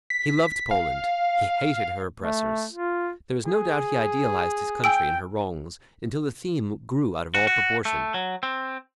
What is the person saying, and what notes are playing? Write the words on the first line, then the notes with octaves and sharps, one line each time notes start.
He loved Poland, he hated her oppressors. There is no doubt he idealized his country and her wrongs until the theme grew out of all proportion.
B6
F5
A3
F4
G#4
G5 G#5 E6 D7
F#4
F#4
A3
F#3
C4